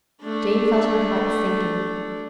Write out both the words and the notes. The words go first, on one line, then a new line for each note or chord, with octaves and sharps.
Jane felt her heart sinking.
A3 D4